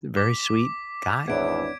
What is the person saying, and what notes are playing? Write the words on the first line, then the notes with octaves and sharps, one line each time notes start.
very sweet guy.
D6 B6
G#1 E2 B3 D4 E4 C#5 G#6 D7